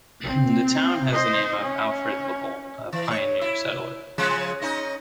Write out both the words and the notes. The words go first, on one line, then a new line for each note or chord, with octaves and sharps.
The town has the name of Alfred Labolt, a pioneer settler.
C4
C5 D#5
C#4
E3
C#5
E4
C#3 F3 G#3
C#4 D#4 D#5